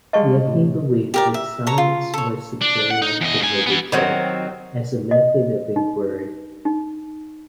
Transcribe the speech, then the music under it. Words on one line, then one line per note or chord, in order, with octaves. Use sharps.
Yet he believed that science was superior to literature as a method of inquiry.
G3 G#3 D#5 F5 A5 C#6
A2 C3
G4 A#4 D5
E5
C#5 A5 A#5
F4
A4 C#5
D4
F#5
D#4
E2 D#5
G#2 G#5
E3 B3
D#3 F#3 C4
D#5
D#4
D#4